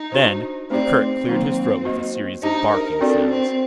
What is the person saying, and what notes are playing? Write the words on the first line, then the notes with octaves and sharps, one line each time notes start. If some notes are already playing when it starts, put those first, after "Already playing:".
Then Gurgurk cleared his throat with a series of barking sounds.
Already playing: D#4
D4 F#4 C5
A3 C4 D#4 G4 D5
C4
D#3 F#3 A#3 D#4
A#3 F#4 C5 D#5
D4 D#4 G4 C5
A#4
C4 D4 F#4 A4 D5
C4